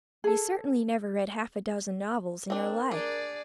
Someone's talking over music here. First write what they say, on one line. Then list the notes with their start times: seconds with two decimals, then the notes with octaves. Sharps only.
"You certainly never read half a dozen novels in your life!"
0.24 G#4 A4
2.50 C4 D4 A#4
2.91 D4 G#4 D5